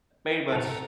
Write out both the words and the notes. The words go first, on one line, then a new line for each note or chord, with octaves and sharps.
pretty much
C3 A4 F#5 A#5